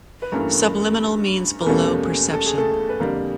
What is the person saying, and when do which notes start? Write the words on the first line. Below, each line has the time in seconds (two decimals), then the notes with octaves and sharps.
Subliminal means below perception.
0.22 B4
0.32 G2 E3 A3 A#3 C#4 A#4
1.61 A#4
1.66 E2 B2 G3 A3 A#3 C#4 A4
2.33 A4
2.46 G#4
2.58 A3 A4
2.89 B4
3.00 F2 D3 G3 A#3 A#4